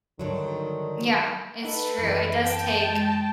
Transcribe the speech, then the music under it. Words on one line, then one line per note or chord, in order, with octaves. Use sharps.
Yeah, it's true. It does take
G2 D3 D#3 F#3
D#4 A4 B4 F#5
F#2 E3
G5 A5
G#3